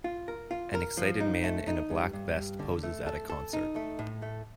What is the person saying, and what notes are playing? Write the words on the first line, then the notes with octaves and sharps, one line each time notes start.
An excited man in a black vest poses at a concert.
F4
A#4
F4
A#4
F3
D#4
A3
D#4
G2
G2
G2
D3
A3
A4
A4
D#4
A3
A2
A3